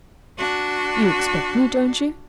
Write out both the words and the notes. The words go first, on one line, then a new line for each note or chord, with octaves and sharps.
'You expect me, don't you?'
D4 F#4